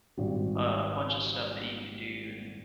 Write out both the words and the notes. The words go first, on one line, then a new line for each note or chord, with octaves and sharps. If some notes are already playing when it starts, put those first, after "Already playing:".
a bunch of stuff that you could do and
G#1 G3